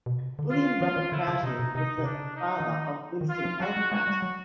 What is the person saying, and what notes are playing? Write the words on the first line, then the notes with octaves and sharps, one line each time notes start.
William Robert Prouty was the father of Winston L. Prouty.
B2
C3
C#3
D3
D#3 F4
E3 F4
E3
D3 E4
C#3
C3 D#4
B2
C3 D#4
C3
C#3 D4
D#4
E3
D#3
D#3
E3 F4
F3
F#3 F#4
G#3
G#3 F#4
G3
F#3